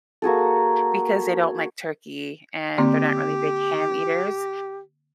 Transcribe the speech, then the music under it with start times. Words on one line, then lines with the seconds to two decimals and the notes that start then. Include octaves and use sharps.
because they don't like turkey, and they're not really big ham eaters,
0.22 A#3 F#4 G#4 A4
2.78 D3 A#3 C4 G4